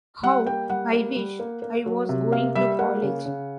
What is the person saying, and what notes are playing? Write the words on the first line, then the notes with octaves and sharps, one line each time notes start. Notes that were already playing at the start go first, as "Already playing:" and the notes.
How I wish I was going to college!
G3 F#5
A#3 G5
G3 F#5
A#3
G3
A#3
A#3
F#3
C3
A#3 F5
G3 E5
A#3 F#5
C#3
C#3